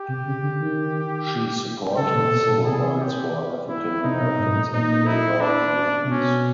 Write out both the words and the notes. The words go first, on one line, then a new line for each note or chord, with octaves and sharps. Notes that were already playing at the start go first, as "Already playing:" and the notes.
She supported civil rights for African Americans and labor unions.
Already playing: G4
C3
C#3
D3
D#3
C#3 A4
A#2
B2
A#2
C3 G#4
G4
E4
C3 D#4
B2
G#2
A2
A#2 D#4
E4
D4
C3
B2 C#4